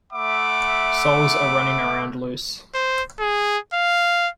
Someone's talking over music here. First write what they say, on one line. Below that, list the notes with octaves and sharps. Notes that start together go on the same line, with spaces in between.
Souls are running around loose.
A3 E5 F#5 B5 D6
C5
G#4
F5